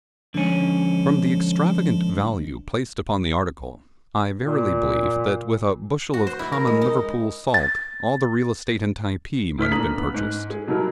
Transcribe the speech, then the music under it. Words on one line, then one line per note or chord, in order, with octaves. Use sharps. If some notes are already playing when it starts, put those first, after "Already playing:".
From the extravagant value placed upon the article, I verily believe, that with a bushel of common Liverpool salt all the real estate in Typee might have been purchased.
D3 F3 G#3 C#4
A#2
F#4
C5
E4
A#4
G#3
D#4
A6
A2 E4 B4 F6 B6
A#2 D3 D4 A#5 D#6 F#7
B3
G#2
G#4
B2 F#3 G3 D#4 E4 A#4